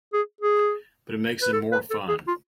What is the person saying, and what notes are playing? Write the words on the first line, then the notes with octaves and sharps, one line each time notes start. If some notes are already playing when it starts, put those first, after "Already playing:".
But it makes them more fun!
G#4
G#4
B4
A4
B4
A4
G#4
F4